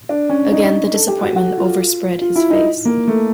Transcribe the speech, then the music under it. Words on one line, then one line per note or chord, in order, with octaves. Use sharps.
Again the disappointment overspread his face.
D4
C#4
D#4
A4
G4
F#4
F#4
F4
F4
E4
D#4
A#3
A3